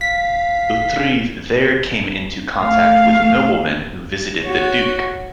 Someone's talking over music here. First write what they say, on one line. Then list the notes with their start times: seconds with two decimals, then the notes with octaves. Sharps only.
Hauterive there came into contact with noblemen who visited the duke.
0.01 F5 B6
2.59 A3 F5
4.44 F#4 C#5